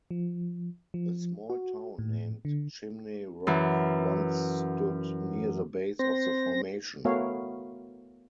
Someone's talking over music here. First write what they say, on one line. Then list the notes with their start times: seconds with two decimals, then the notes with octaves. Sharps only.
A small town named Chimney Rock once stood near the base of the formation.
0.11 F3
0.94 F3
1.50 F#4
1.99 A2
2.45 D3
3.47 F#2 E3
5.99 C4 C5 A#6
7.05 A3 B3 F#4 A#4 C#5 F5